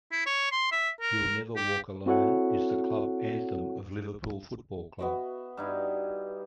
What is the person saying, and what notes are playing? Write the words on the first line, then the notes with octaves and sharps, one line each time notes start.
"You'll Never Walk Alone" is the club anthem of Liverpool Football Club.
E4
C#5
C6
E5
A#4
G4
C4 E4 F#4 A4 C#5 F#5
B3 F#4 E5
G2 D#4 E4